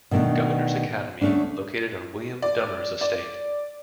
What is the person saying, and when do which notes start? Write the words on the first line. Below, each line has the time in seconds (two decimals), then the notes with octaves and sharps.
Governor's Academy located on William Dummer's estate.
0.11 B2 D#3 A3 D4
1.21 D2 A3 C#4 D4
2.42 D5
3.01 D5